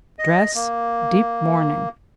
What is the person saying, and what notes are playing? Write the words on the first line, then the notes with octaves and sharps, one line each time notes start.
Dress--deep mourning.
D#5
A#3